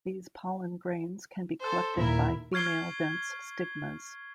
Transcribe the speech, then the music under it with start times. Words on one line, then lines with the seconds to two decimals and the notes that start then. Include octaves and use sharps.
These pollen grains can be collected by female dense stigmas.
1.60 A4 C5
1.96 D#2 A#2 D#3 E4 A#4
2.53 C#6 F6 G#6 C7 G7